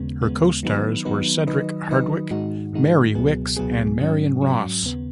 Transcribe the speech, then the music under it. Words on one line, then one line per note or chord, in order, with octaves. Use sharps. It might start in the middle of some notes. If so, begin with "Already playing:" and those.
Her costars were Cedric Hardwicke, Mary Wickes and Marion Ross.
Already playing: D#2 C#3 G#3 B3
D#2 C#3 G#3 B3
D#3 F#3 B3 D#4 B4
D#3 F#3 B3 D#4 B4
D#3 F#3 D#4 B4 D#5
D#3 F#3 D#4 B4 D#5
G#2 D#3 G#3 D#4 F#4
G#2 D#3 G#3 D#4 F#4
C#2 B2 F#3 B3 G#4
C#2 B2 F#3 B3 G#4
G#2 F#3 C#4
G#2 F#3 C#4
D#2 C#3 B3